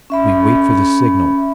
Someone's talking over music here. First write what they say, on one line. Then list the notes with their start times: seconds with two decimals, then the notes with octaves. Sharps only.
"We wait for the signal."
0.10 C#4 E5 B5